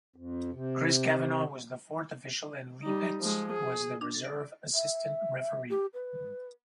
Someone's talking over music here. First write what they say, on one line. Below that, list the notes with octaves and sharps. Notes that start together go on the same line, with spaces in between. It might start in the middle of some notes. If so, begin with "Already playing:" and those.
Chris Kavanagh was the fourth official and Lee Betts was the reserve assistant referee.
F2
C3
G3 D#4
F3 G#3
G#4
E5
G4
B4